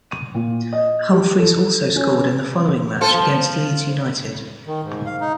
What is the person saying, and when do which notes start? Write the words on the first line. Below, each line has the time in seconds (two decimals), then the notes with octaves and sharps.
Humphreys also scored in the following match against Leeds United.
0.11 D#7
0.34 A#2
0.73 D#5
1.13 G4
1.38 A4
1.96 C#4
3.01 F4 A4 C5
3.14 F3
4.66 D#3
4.83 G#2
5.06 F5
5.20 D#4